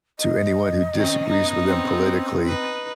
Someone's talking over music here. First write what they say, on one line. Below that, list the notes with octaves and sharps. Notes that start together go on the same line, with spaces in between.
to anyone who disagrees with them politically,
D#5
D#3 C4 C#4
B3 C#4 D#4
C4
D#4 B4